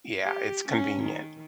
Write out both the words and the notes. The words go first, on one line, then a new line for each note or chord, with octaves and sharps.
yeah, it's convenient.
G4
C#4
D#3